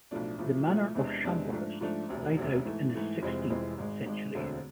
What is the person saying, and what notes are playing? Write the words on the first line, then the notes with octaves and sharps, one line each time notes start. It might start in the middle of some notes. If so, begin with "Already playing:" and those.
The Manor of Shamblehurst died out in the sixteenth century.
B1 A2 F3 A3 D4
B1 A2 F3 A3
B1 A2 F3 A3
E2 C3 G#3 D4
E2 C3 G#3 D4
G#2 F3 A3 D4
G#2 F3 A3 D4
E1 D2 C3
E1 D2 C3
G#2 E3 A3
G#2 E3 A3
F1 F2 E3 G#3 C4
F1 F2 E3 G#3 C4
G#1 G#2 G#3
G#1 G#2 G#3
E1 D2 D3 A3 C4